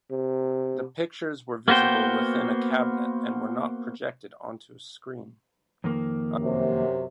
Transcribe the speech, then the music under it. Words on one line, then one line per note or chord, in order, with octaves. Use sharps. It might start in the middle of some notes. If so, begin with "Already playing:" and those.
The pictures were visible within a cabinet, and were not projected onto a screen.
C3
A#3 B3 F#4 C5 G5
F2 D#3 A#3
F#2 C3